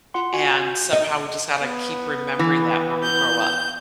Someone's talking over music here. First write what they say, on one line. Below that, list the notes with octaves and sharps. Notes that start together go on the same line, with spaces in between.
and somehow we just gotta keep remembering that when we grow up.
F4 F#5 C6
F#4 G#5
G6
D#4
B3
E3
G6